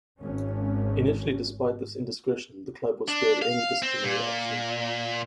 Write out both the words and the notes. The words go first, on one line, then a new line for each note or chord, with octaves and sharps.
Initially despite this indiscretion, the club was spared any disciplinary action.
G#1 C#4
D4
F5
C4
A#2